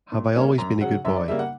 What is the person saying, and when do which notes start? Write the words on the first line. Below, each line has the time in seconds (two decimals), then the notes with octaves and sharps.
Have I always been a good boy?
0.12 A#2
0.36 G3 A#3 C#4
0.58 F#2 A#5
0.81 C#3 F#3 F#5
1.05 F#2 E5
1.16 D5
1.28 C#3 G3 A#3 E5
1.39 F#5